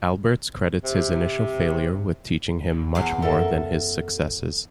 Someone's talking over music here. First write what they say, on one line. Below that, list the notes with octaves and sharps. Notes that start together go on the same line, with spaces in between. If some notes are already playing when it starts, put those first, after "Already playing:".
Alberts credits his initial failure with teaching him much more than his successes.
C3
E2
E2 E3 B3 C6
F#2 A4 A#4 E5